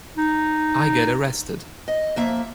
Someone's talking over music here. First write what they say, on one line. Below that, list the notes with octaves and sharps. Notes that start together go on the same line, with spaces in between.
I get arrested.
D#4
D#5
F2 A#3 E5